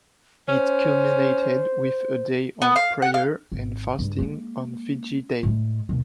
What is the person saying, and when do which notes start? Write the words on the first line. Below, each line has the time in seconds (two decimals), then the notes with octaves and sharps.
It culminated with a day of prayer and fasting on Fiji Day.
0.48 C#4 C5
2.62 B3
2.76 F5
3.02 F#5
3.14 F5
3.52 G#1
3.99 G2 C#3
4.19 G#3 A#3
5.43 A2 G#3
5.89 D#2 B2